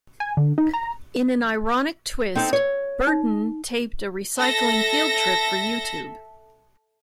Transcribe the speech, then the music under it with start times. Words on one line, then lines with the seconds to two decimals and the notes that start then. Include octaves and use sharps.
In an ironic twist, Burton taped a recycling field trip for YouTube.
0.20 G#5
0.37 D3
0.58 D#4
0.74 A#5
2.35 C4 D#4 A4
2.53 C#5
3.07 D#4
4.37 A4 E5 A#6